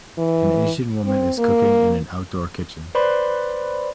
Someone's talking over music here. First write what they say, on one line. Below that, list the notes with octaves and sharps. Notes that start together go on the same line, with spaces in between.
An Asian woman is cooking in an outdoor kitchen.
E3
C4
A#3
B4 C5 D5 B5 C6